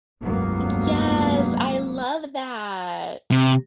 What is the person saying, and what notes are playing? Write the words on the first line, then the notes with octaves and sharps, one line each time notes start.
Ec yes, I love that.
F1 C#2 G2 F#3 A#3 B3
C3